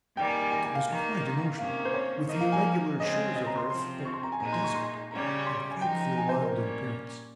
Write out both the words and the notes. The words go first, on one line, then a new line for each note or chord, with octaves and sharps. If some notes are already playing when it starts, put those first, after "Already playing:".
It was quite an ocean, with the irregular shores of earth, but desert and frightfully wild in appearance.
D#3 G3 A#3 G5
G#5
G#5
G#5
G#5
F5
D#3 A#3 D#4
C3 D#3 A#3 C#4 F5
C5
C#5
F3 A#3 D#4 D#5
F5
G#5
F5
C#3 G#3 C4 D#5
D#5
A#5
C6
C3 F3 C4 C6
C#6
C6
A#5
G#5
A#2 G#3 D#4 A#5
C6
C#6
C6
C#3 G3 C#4 A#5
C6
G#5
F3 G#3 D#4 G5
G#5
C5
A#4
A#2 G3 C#4